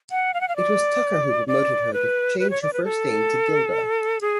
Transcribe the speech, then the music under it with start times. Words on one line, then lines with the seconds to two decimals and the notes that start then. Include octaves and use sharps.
It was Tucker who prompted her to change her first name to Gilda.
0.11 F#5
0.34 F5
0.41 F#5
0.48 F5
0.56 D5
1.48 D5
1.93 B4
2.40 B4
2.50 C#5
2.62 D5
2.73 B4
2.84 A4
4.21 G#4